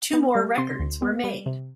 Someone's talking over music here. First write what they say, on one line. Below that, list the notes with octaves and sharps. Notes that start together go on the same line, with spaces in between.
Two more records were made.
B3
G3
C3 C6
D2
B3
G3
C3